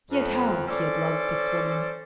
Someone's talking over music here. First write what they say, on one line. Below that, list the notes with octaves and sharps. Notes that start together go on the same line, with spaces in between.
Yet how he had loved this woman!
F2
C#4 A4 C5 D5